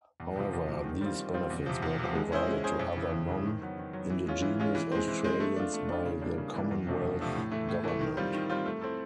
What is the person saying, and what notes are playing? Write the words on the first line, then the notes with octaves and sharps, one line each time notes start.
However, these benefits were provided to other non-Indigenous Australians by the Commonwealth Government.
E2
C3 F3
E2
C3 F3
D#3
G3 C4 F4
D#3
G3 C4 F4
E2
C3 F3
E2
C3 F3
G#3
C#4 E4 G#4 C5
G#3
C#4 E4 G#4 C5
F2
C#3 E3
F2
C#3 E3
D#3
F#3 B3
D#3
F#3 B3
E3
G#3 C#4 F4
E3
G#3 C#4 F4
E3
G#3 C4
E3
G#3 C4
A3
D4 F4
A3
D4 F4
C#3
E3 G3 A#3 D4
C#3
E3 G3 A#3 D4
E2
C3 F3 A3 D4
E2
C3 F3 A3 D4
A2
E3 A3
A2
E3 A3
D#3
G3 C4 F4
D#3
G3 C4 F4
A3
C4 E4 A4